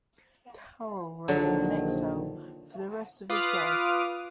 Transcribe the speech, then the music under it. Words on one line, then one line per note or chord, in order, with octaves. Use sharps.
Carol remained in exile for the rest of his life.
A#1 D3 D#3 F#3
F4 B4 F5 D6 D#6 F6